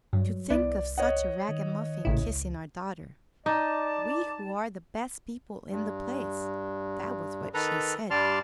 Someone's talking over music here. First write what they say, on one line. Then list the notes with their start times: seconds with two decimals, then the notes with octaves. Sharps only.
"To think of such a ragamuffin kissing our daughter--we who are the best people in the place!" That was what she said.
0.13 G2 F#3
0.50 C2 B3 E4 D5
0.98 C#5 D#5 F#5
1.49 D#3
2.05 A1 A#2 C#3 A3 E4
2.23 C#2
3.46 D#4 D5 A5 D6
5.71 G2
7.54 D#3 A4 B4 A#5
8.10 G2 G3 D5 A5 C6 F6